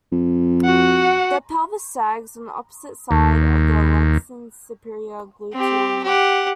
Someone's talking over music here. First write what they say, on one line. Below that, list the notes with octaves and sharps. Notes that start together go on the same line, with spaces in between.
The pelvis sags on the opposite side of the lesioned superior gluteal nerve.
F2
F#4 F#5
D#2
C4 G4
G4 F#5